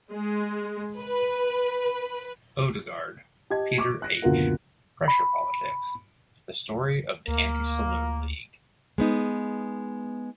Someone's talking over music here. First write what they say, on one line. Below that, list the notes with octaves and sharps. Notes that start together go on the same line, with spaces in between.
Odegard, Peter H. "Pressure Politics: The Story of the Anti-Saloon League".
G#3
B4
G4 D#5 A5 G#6
C#6 D6
F#6 A#6
F#1 D2 B2 F4 A#4 F#5
B5
D2 A#3
G#3 B3 D#4